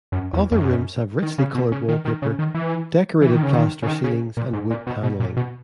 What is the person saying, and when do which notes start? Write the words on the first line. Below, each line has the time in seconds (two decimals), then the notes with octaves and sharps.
Other rooms have richly coloured wallpaper, decorated plaster ceilings and wood panelling.
0.12 F#2
0.33 E2
0.51 E2
0.56 F#2
1.22 D#3
1.38 C#3
1.55 B2
1.72 C#3
1.88 D#3
2.05 D#3
2.22 C#3
2.39 D#3
2.54 E3
3.21 E3
3.31 D#3
3.43 C#3
3.53 D#3
3.82 C#3
3.87 D#3
4.04 C#3
4.37 A#2
4.53 G#2
4.70 A#2
4.87 B2
5.03 B2
5.20 A#2
5.37 B2